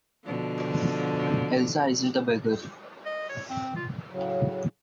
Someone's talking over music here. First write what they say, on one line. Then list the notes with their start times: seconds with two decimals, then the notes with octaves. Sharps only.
Elsa isn't a beggar!
0.24 B2 D3 F3
3.06 D#5
3.29 C#5
3.50 C4
3.76 F4
4.11 A2 C#3 F#3